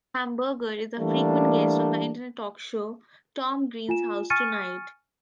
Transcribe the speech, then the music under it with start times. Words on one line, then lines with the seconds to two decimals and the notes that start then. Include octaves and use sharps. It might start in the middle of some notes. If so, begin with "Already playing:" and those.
Hamburger is a frequent guest on the internet talk show "Tom Green's House Tonight".
1.00 E3 G3 A3 A#3 D4
3.89 F4 G#5 E7
4.30 G#5 C#6 F6 A6 C#7 D#7